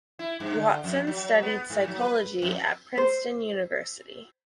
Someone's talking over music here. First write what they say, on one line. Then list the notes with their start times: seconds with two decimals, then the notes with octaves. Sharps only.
Watson studied psychology at Princeton University.
0.19 E4
0.40 G2
0.56 D3
0.84 F2
1.07 F#3
1.43 B3
1.70 G#2
1.87 F#3
2.01 B4
2.42 F2
2.97 C5